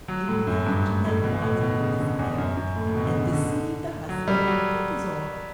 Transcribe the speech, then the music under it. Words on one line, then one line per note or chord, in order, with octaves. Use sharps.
Imagine that Marguerite is married, and deceive the husband; that is all.
F#3
A2
F#2
G2
A2
B2
B2
A2
B2
C#3
D3
E2
F#2
F#2
A2
A2
B2
D3
C#3
D3
F#3
G3
F#3